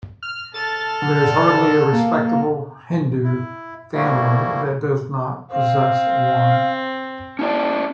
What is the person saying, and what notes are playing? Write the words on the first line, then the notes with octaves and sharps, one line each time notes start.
There is hardly a respectable Hindu family that does not possess one.
F6
A4 A5 F6 A6
D3
A#3
E4
F3 G3 A3 A#3 E4 F#4
C4 F5
C#4 E4 D5 A5